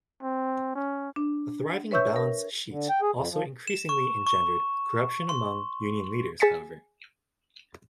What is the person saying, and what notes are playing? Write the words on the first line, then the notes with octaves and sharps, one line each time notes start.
A thriving balance sheet also increasingly engendered corruption among union leaders, however.
C4
C#4
D4
B4 C#5 E5 C#6 E6 G6
A#4
D3
G5
G#4
F2
F3
E7
C#6
C#6
C6
G#4 G#5 A6 B6 C#7 E7